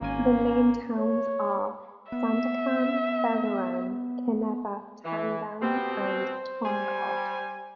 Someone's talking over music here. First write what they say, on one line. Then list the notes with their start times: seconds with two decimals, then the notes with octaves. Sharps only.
The main towns are Sandakan, Beluran, Kinabatangan, and Tongod.
0.01 G#1 A#3 C#4 G#5
0.98 C#5
2.12 B3 E5
5.05 E3
5.62 B2 C4 G4
6.00 C5
6.65 G3 G#5